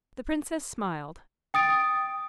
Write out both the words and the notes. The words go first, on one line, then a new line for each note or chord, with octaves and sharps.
The princess smiled.
G5 D#6 A6 D7